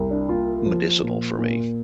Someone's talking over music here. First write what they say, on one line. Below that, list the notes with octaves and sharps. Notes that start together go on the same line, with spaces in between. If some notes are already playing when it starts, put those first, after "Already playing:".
medicinal for me.
Already playing: C2
D4
A#3 F4
F3
A#2
A#2